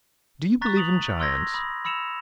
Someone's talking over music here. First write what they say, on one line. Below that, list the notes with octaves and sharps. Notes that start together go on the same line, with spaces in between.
Do you believe in giants?
A#5 C#6 F#6 A6 B6
D#6 F7 F#7
C6 E6 G#6 A#6
B5 D#6
B5 E6 C#7 E7 F7